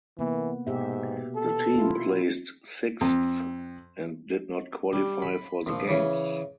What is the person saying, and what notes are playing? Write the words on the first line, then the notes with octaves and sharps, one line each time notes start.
The team placed sixth and did not qualify for the Games.
C3 E3 A#3 B3
G#2 B2 G4 E5
A4
E4 F4
F2
G3
B5
A#1 F3
C#3 E3 C#4